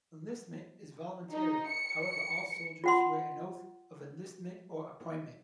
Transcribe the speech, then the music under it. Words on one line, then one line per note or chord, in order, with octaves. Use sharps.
Enlistment is voluntary, however all soldiers swear an oath of enlistment or appointment.
D#4
C#7
C#7
F4 F#5 C6